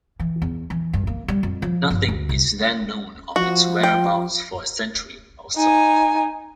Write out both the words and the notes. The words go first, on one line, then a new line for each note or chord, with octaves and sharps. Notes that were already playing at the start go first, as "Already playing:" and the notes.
Nothing is then known of its whereabouts for a century or so.
E3
E2
E3
G2
A#3
G3
F2
F3
G1
D2
C2
F3 F#4
G5
D#4 G#5